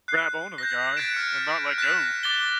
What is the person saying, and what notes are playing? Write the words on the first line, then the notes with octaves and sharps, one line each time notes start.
grab on to the guy and not let go.
F#6 C7
G6 A#6
F#6 G#6 A6 B6 D7 E7
F6 C#7
F#6 A#6 B6 E7
D6 A6 G7